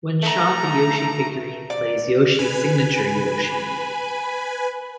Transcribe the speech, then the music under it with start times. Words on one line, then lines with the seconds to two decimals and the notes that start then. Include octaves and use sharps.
When shot the Yoshi figurine plays Yoshi's signature Yoshi!
0.23 A3 A#5
1.70 D5
2.39 B4 G#5 B5